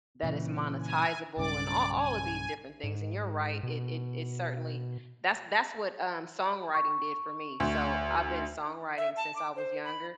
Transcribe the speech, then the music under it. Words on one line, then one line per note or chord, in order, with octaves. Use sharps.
that it's monetizable and a all of these different things, and you're right, i it is certainly That's that's what, um, songwriting did for me. So, I've been songwriting since I was younger,
A#2 C#3 E3
G#5
B1 G2 C#3 D5 D6
G#5
G#2
B2
C#6
D2
E5
A5
D6
C5
B5